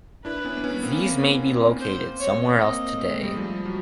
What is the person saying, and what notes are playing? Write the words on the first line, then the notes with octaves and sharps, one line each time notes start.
These may be located somewhere else today.
D4 E4 B4
B3 C#4
D4
B3 C#4
A#3 C4
C#4
A#3 C4
C5
C#5
A#3 C4 D#5
A3
G#3
G3 A3
F3 G3
F#3